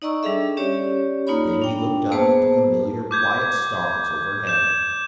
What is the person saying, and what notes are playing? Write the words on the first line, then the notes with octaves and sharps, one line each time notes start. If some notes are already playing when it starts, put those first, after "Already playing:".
And then he looked up at the familiar quiet stars overhead.
D#4 D5 D#5 A#5 C#6 E6
G3 D4 G#4 A4 E5
C#4 G4 C#5 D5
A#3 D#4 F4 C#5 B5
D4 G5
A#3 B3 G#4 B4 C5 A5
D6 G6 G#6
G6 E7